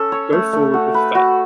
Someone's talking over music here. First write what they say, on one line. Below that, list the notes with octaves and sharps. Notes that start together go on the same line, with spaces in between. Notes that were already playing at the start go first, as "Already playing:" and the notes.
Go forward with faith!
Already playing: C#4 A4
C#5
A3
A3
F#4
B4
F#4